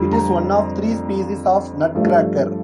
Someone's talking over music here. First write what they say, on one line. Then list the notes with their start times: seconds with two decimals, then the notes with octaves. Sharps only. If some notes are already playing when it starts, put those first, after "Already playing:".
It is one of three species of nutcracker.
Already playing: F2 D3 G3
0.13 A#5
1.95 G2 F3 A3